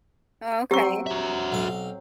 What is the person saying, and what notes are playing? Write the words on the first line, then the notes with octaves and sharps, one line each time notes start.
Oh, okay.
F#3 C4 G4 C#6
F#4 E5
B1 F5